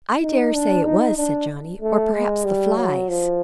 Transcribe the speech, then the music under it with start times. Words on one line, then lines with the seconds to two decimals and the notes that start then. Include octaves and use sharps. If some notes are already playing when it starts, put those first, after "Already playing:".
"I daresay it was," said Johnny;--"or perhaps the flies."
0.23 D#4
0.54 D4
0.86 D#4
1.17 D4
1.82 A3
2.13 G#3
2.45 G3
2.77 F#3
3.09 F3